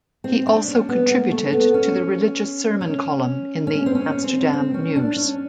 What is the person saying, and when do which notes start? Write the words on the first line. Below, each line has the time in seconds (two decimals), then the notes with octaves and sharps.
He also contributed to the religious sermon column in the "Amsterdam News".
0.24 C4
0.47 D4
0.68 C#4
0.89 B3
1.11 A#3
1.31 A3
1.53 B3
1.74 C#4
2.81 C#4
3.67 C#4
3.86 C4
3.95 C#4
4.24 C4
4.53 C4
4.74 C#4
4.96 D4
5.16 C#4